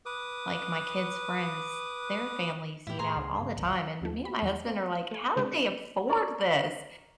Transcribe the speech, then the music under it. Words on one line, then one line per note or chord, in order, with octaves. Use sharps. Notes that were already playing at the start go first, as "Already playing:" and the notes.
like, my kids' friends, their families eat out all the time, and me and my husband are like, "How do they afford this?"
B4 D6 D#6
A2 E4 G4
A2 G#4 A#5 C6
C#2
G2 C#3
G#1 D2
D#2 F3 A3
B5
E2
B3 C4
A3 G#5
C#3 G#3 C4 D4
A#4 C#5 D5